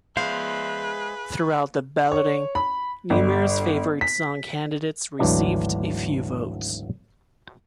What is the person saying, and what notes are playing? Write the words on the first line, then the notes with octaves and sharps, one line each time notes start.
Throughout the balloting, numerous favorite son candidates received a few votes.
G#3 G#4 B4 C5 E5 F5
C#5
B5
G1
B6
G#1 D2 E3 F#3 D4 D5